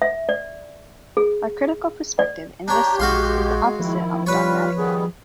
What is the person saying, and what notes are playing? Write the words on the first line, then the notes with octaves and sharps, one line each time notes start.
A "critical perspective", in this sense, is the opposite of a dogmatic one.
E5
D5
G#4
D5
D4 G4 C#5 A#5 G6
A#1 G#3 F#4 F5 C6
D#3 F3 E4
G3 F4 B4 C#5
D#3 G3 B3 G#4